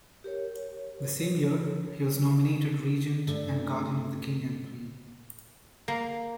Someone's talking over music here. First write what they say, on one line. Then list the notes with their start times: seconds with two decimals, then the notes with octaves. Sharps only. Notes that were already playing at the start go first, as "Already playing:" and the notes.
The same year he was nominated Regent and Guardian of the King and Queen.
0.24 G4 A#4 C#5
3.27 G2 A3
5.88 A#3